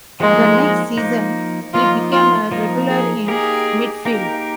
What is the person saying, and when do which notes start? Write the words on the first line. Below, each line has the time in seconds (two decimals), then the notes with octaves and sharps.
The next season, he became a regular in midfield.
0.20 F3 G#3 A#3 D#4
0.97 F3 A#3 D#4
1.74 F3 A#3 D#4 F4
2.13 F4
2.51 F3 A#3 D#4
2.89 G#4
3.28 A#3 D#4 G4 G#4 A#4
4.05 A#3 D#4 G4 A#4